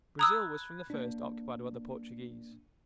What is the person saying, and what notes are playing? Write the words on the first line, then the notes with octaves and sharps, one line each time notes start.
Brazil was from the first occupied by the Portuguese.
A#5 B5 D#6 E6 F#6 G#6
A#3 D4